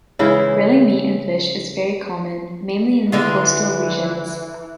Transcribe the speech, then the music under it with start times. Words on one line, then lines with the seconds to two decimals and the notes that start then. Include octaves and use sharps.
Grilling meat and fish is very common, mainly in the coastal regions.
0.19 C#3 E3 G#3 E4
3.12 D3 E3 G#3 F4